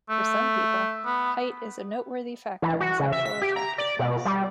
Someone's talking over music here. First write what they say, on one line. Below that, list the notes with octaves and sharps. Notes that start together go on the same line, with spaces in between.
For some people, height is a noteworthy factor in sexual attractiveness.
A3
B3
E3
F#4
C#3
E5
B6
G4
A#5
D5
B2
G3